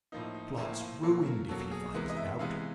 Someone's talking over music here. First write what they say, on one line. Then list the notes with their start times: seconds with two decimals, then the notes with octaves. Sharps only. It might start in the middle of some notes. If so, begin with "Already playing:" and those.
Plot's ruined if he finds it out!
0.12 A2 F3 A#3 D#4
0.34 D#4
0.57 A2 F3 A#3 E4
0.70 E4
0.80 F4
1.03 B2 F#3 A#3 A4
1.26 A#4
1.48 B2 F#3 A#3 A4
1.71 G#4
1.94 C3 E3 G#3 B3 A#4
2.10 D#5
2.16 E5
2.39 C3 E3 G#3 B3 F5